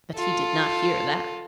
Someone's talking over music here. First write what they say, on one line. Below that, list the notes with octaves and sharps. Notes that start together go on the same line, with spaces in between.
But he did not hear that.
F4 A4